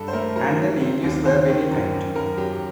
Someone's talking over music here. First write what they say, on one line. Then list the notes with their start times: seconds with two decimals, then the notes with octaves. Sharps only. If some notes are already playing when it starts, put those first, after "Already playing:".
And the natives were very kind.
Already playing: G2 A4
0.08 C5
0.13 A3 A#4
0.36 F#3 A#4
0.59 F#3
0.80 C4
1.03 D#2
1.25 D#2 C5
1.48 D#3
1.71 F#2
1.93 F#2
2.15 F#2 A#4
2.37 F#3 G4